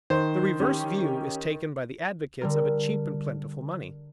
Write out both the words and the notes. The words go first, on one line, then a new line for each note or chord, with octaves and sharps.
The reverse view is taken by the advocates of a cheap and plentiful money.
D#3 C5
C#4 G4
D3 G3 A#4